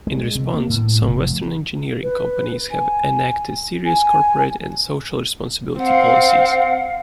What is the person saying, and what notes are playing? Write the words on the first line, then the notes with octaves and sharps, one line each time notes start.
In response, some western engineering companies have enacted serious corporate and social responsibility policies.
G#3
C3
A#3
A2
F1
B4
G#5
G#5
C4 F5 F#5